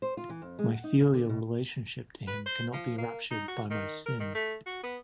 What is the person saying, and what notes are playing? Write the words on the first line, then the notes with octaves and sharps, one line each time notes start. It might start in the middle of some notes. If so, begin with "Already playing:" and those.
My filial relationship to him cannot be ruptured by my sin.
C5
F4
E3
F2
G#3
F#5
D#4
C#3
D3
B2
B4
C5
F3
A#3
D#4
F#4
D#3
A#4
D#3
A3
F#4
B3